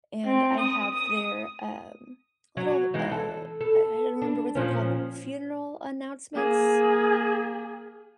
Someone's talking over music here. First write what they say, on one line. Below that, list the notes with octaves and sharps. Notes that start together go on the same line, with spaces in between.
and I have their, um, little, uh, I I don't remember what they're called, funeral announcements,
C4
D#6
D#6
F#3
E3 G#3 D#4
A4
A4
D4
A#2 F3 C#4
A#3 G#4